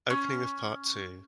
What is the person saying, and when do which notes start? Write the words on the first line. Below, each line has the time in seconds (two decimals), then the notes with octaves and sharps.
Opening of Part Two.
0.10 C#4